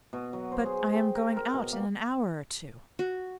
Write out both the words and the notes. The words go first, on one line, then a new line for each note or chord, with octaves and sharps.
But I am going out in an hour or two.'
B2
F#3
C5
G#4
G5
A#4
A#4
B2
A#3
F#4